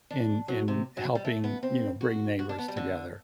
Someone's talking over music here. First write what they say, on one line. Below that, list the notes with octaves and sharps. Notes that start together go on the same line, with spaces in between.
in in helping, you know, bring neighbors together,
D4
F#3
C3
F#3
G3
A3
B3
C4
F#4
F#4
D4
B3
G3
D3